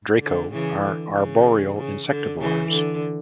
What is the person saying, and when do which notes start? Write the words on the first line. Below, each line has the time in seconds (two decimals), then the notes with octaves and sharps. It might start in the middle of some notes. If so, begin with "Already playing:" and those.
"Draco" are arboreal insectivores.
0.21 D3
0.52 C#3 E3
0.83 D3
1.15 C#3
1.78 C#3
2.09 D3
2.40 C#3 E3
2.71 D3